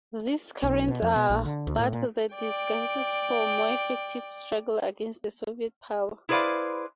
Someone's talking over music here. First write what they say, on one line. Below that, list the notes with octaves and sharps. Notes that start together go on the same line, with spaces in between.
These currents are but the disguises for more effective struggle against the Soviet power.
B1
B2
F2
B2
A#1
D3
D2
A2
A#2
D5 G5
E4 G#4 B4 C5 D5 F5